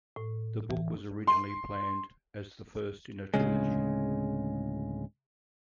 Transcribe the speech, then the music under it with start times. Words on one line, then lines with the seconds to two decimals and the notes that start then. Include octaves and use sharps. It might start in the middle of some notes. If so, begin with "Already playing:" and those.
The book was originally planned as the first in a trilogy.
0.16 A2
0.70 E3
1.27 C6
3.34 D1 C#3 G#3